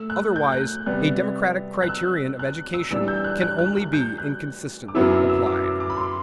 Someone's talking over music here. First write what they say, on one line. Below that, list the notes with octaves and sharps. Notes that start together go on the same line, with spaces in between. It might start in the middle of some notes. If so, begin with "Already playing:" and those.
Otherwise a democratic criterion of education can only be inconsistently applied.
Already playing: A3 E6
F#6
G6
F#6
C3 G3 B3 F#6
F#6
E6
F#6
E6
E3 G3 D4 G4 E6
G6
F#6
F#6
F#6
F#6
G6
F#6
D6
F#2 F#3 B3 E4 E6
E6
E6
D6
E6
D6
B5
C6